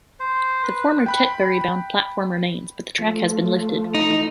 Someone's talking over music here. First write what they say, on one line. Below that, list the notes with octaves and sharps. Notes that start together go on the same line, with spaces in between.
The former Tetbury bound platform remains but the track has been lifted.
C5
B4
G5 B5 F#6
F3 A3
D#4
E3 A3